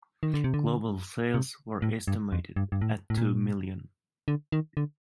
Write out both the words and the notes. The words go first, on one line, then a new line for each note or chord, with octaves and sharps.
Global sales were estimated at two million.
D#3
D3
C3
D3
C3
A2
G2
F2
G2
G2
A2
A2
A#2
D3
D#3
D3